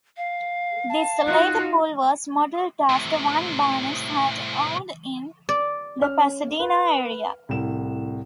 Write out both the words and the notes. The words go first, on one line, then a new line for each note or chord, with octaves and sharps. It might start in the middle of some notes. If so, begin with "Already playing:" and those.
This later pool was modeled after one Barnes had owned in the Pasadena area.
F5
A5
D#4 F4 F#4 F#6
A2 C3
D5
C#4 F6
B4
C2 A2 E7